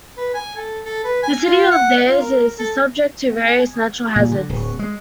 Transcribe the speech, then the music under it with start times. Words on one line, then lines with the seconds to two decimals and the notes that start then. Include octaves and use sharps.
The city of Thiers is subject to various natural hazards.
0.17 B4
0.34 G#5
0.57 A4
0.85 A4
1.04 B4
1.23 G#5
1.44 F4
1.71 F#5
2.06 F4
2.21 A#4
2.59 A4
4.16 A#2
4.31 D3
4.49 D1
4.79 G#3